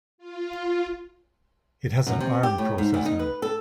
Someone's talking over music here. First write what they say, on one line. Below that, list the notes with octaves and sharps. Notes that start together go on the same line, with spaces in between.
It has an Arm processor.
F4
F#2
C3
G4
A2
G#2
D2
D#4
B4
A4